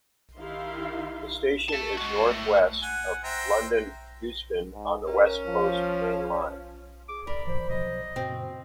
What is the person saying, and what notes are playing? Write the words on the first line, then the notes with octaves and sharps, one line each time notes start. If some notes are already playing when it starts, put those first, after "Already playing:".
The station is north west of London Euston on the West Coast Main Line.
D#3 D#4 E4 G4 F5 C6
E5 A5
G#3 F#4
A2 A3
F#5 G#5
C5 E5 G5 A#5
G#2
C#4 A#4
F3
G#4 D6
A#4 D5 B5
E3 C5
B2 F3 F#3 D#5
F#2 A#2 C#3 C4 F#4